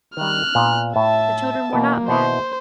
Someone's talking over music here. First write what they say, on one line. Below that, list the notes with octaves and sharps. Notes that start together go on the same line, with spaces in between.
The children were not mad.
D#3 G3 F6 F#6
A#2 B3
A2 E5 A5
B2 E3 A#3 G5
B2 B3 E4 C5